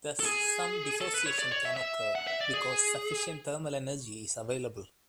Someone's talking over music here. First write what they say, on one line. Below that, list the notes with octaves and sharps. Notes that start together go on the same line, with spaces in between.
Thus some dissociation can occur because sufficient thermal energy is available.
A4
G#4
A4
B4
C#5
D5
C#5
E5
E5
F#5
E5
D5
G#4